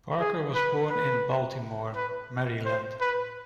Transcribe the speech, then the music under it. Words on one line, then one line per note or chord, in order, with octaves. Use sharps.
Parker was born in Baltimore, Maryland.
G#4
B4
B4
B4
C5
B4